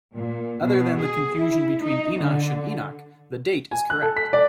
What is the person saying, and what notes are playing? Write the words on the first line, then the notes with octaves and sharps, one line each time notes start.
Other than the confusion between Enosh and Enoch, the date is correct.
A#2
B2
G#4
E4
D#4
D3
G#5
F#6
A4
B6
D5